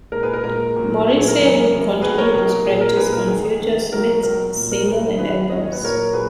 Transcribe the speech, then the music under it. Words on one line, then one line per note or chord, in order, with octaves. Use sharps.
Morrissey would continue this practice on future Smiths singles and albums.
A#2 G#3 A#4
G#4 B4
A#4
A#2 G#3 A#4
A#2 F#3
A#2 F#3 G#4
G#4
A#4
F#2 C#3 E3
F#2 C#3 E3
C#2 B2 F#3 G#4 B4
A#4 C#5
C#2 B2 F#3 A#4
A#2 G#3 G#4
A#4
A#2 G#3 G#4 B4
A#4
E2 D#3 G#3 G#4
G#4
E2 D#3 G#3
C#2 B2 F#3 A#4
C#2 B2 F#3 A#4
A#2 F#3
A#4
A#2 F#3 G#4 B4
D#2 D#3 F#3 G#4 B4
D#2 D#3 F#3 D#5
C#5
B4
A#2 F#3 A#4 C#5
A#2 F#3 G#4 B4